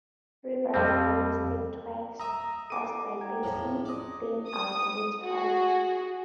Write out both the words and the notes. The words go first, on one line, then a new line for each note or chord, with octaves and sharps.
Rivers are listed twice, first by basin, then alphabetically.
F2 G3 C4
D#5 E5 A#5 D#6 E6
A4 F#5 D6 D#7
G5 A#5 G#6
E2 A2 F3
C5 D5 D#5
D#6
F#4 G#4